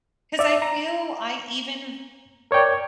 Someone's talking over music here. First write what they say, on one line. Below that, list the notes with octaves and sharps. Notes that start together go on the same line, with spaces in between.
'cause I feel I even
D5 E5
A#5
A#4 C#5 D5 G5